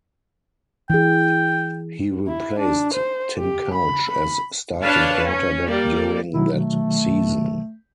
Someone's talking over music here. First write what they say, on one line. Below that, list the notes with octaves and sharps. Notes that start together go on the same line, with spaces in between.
He replaced Tim Couch as starting quarterback during that season.
E3 G#4 G5
E4
D4
C5
G4
B5
B5
D4 B4 C#5 F5 A5
C#4
G3 A#3 D5
B2 D#3 F#3 E4
A3